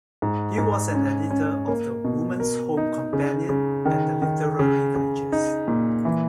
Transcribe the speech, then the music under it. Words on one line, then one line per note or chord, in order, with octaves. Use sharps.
He was an editor of the "Woman's Home Companion" and the "Literary Digest".
G#2
G#2
C#4
C#4
A#3
B2
A#4
D#4
C#3
C#3
D#3
D#3
C#3
C#3
D#4
A#2
E3